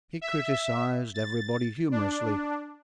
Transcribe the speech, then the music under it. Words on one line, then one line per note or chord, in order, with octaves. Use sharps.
He criticised everybody humorously.
E5
A6
D4